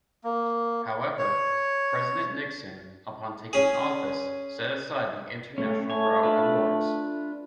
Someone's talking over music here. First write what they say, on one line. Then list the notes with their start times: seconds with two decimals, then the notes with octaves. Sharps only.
However, President Nixon, upon taking office set aside the international route awards.
0.24 A#3
1.19 C#5
3.53 C#4 G#4
5.58 A3 C#4
5.90 A3 C#5 G#5
6.23 D4 F4 B4